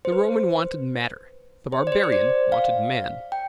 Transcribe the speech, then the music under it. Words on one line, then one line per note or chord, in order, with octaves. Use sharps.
The Roman wanted matter; the Barbarian wanted man.
C5
B4
C5
D5
C5
C5
D5
F5
G5